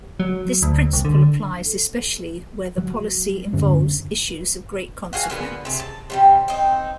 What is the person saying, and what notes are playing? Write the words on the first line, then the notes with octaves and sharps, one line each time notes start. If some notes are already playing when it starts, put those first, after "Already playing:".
This principle applies especially where the policy involves issues of great consequence.
F#3
D2
C2
D3
F#3
E1 G2 D3 C#4
F#4 G#4 F5 F#5
A#2 D3 B3
C3 G#4
A5
C3 F#3 G3
C4 D#4